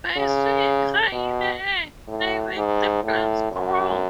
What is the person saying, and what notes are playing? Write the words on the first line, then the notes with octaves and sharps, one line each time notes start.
By swinging high in the air, they make the plants grow.
C#3
B2
A2
G#2
A2
F#2